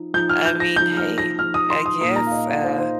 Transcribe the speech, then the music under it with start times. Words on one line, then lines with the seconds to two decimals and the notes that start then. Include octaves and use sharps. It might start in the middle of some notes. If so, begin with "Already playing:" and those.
I mean hey. I guess, uh,
Already playing: F3 D#4
0.14 F3 D#4 G6
0.29 F6
0.45 G6
0.60 A#6
0.76 F3 D#4 G6
0.97 F6
1.18 A#6
1.39 F3 D#4 F6
1.54 D#6
1.70 C6
1.86 D#6
2.01 A#2 A#3 D#4 D#6
2.16 A#5
2.27 F5
2.32 D#5
2.48 F5
2.63 A#2 A#3 D#4 C5
2.78 C5